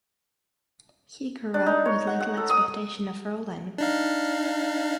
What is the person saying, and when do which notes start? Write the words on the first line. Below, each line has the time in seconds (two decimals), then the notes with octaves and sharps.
He grew up with little expectation of ruling.
1.54 D4
1.66 D#4
1.85 C#5
2.07 F#5
2.20 F#5
2.37 A4
2.49 D#6
3.78 D4 D#4 F5